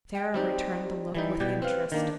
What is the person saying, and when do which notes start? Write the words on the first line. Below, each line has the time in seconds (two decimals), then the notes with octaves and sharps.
Sara returned the look with interest.
0.14 G5
0.34 G3 C4 D#4 G4
1.15 E3 G3 D#4 E4
1.40 B2 G3 G4
1.62 C4 B4 F5
1.92 D#3 A#3 D4